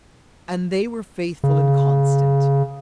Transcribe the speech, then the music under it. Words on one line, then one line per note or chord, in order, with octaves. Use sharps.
And they were faithful and constant.
C#3